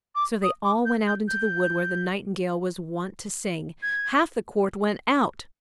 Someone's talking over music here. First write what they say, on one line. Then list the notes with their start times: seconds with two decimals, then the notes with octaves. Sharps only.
So they all went out into the wood where the Nightingale was wont to sing; half the court went out.
0.15 D6
0.42 D#6
0.64 D6
0.85 G6
1.07 G6
1.28 G6
3.82 G#6